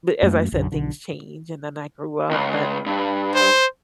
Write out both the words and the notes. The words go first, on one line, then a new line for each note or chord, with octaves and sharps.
But, as I said, "Things change, and then I grew up." But
F#2 A3 A#3
B1 F#2 D3
B1 D3
C#2
G2
C5